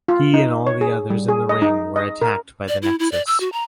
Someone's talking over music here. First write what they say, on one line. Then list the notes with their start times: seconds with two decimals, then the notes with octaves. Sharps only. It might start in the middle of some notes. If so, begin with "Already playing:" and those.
He and all the others in the ring were attacked by the Nexus.
0.08 F4
0.34 D#4
0.67 C#5
0.81 G#4
1.10 G3
1.28 G#4
1.49 D#5
1.62 D#4
1.96 D#5
2.22 A#4
2.68 D5
2.82 E4
2.99 E4
3.12 D5
3.27 E6
3.40 F#4
3.52 A#5